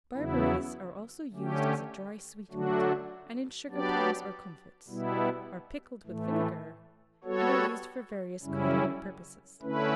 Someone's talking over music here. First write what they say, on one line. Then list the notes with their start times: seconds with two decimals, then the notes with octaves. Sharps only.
Barberries are also used as a dry sweetmeat, and in sugarplums or comfits; are pickled with vinegar, and are used for various culinary purposes.
0.14 E2 C#3 F#3 B3 E4
1.33 D3 A3 C#4 G4
2.50 D3 F#3 A3 D4 F#4
3.69 F#3 B3 D4 G4 D5
4.88 B2 G3 B3 E4
6.06 A2 E3 A3
7.24 G3 B3 F#4 A4 C#5
8.43 F#2 C#3 G3 C#4 E4
9.61 D3 A3 C#4 E4 B4